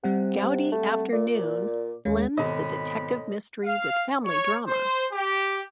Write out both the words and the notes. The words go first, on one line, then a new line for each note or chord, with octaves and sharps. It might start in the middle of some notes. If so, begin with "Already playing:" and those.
"Gaudi Afternoon" blends the detective mystery with family drama.
C3 G3 C4 F#5
A3
A#2 D5
D#2 C#3 G#3
G#1 B2 A4 C#5 D#5 B5
F5
C#5
C5
G4